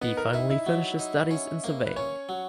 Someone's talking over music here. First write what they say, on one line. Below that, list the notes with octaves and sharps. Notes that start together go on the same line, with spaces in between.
He finally finished his studies in Surveying.
B3 D#4
A#4
D#4 E4
E4
F#3
D#4
C#4
A#3
B4
C#4 C#5
F#3